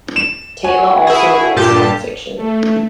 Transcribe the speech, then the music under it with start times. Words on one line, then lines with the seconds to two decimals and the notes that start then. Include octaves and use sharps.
Taylor also writes nonfiction.
0.16 E7
0.64 F#4 G#5
1.07 E4 G#4
1.56 G2 A#2 G4 A5
2.36 A3